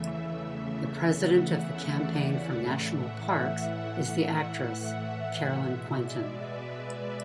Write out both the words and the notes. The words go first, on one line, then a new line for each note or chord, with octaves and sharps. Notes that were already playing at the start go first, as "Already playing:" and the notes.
The President of the Campaign for National Parks is the actress, Caroline Quentin.
Already playing: E2 C#3 E3 A3 E5
F#5
E5
D5
A2 E3 A3 E5
F#5
F#5
F#5
F#5
B2 G#3 E5
D5
B4
B4